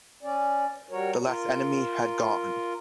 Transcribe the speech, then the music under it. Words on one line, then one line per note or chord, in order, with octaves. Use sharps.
The last enemy had gone.
C#4 D5
G3 F#4 A#4 C#5
F4 A#4